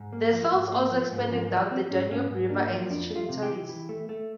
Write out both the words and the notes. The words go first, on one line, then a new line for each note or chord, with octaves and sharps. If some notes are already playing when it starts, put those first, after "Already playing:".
The Celts also expanded down the Danube river and its tributaries.
Already playing: G#2
A#3
F3
G#2
A#3
F3
G#2
F3 C4
F3
F3 C4
G#2 C#4
G#2 C#4
G#2
A#3 D4
F3
F2 D4
A3
F4
C3
G4
E3
E3
A3
A3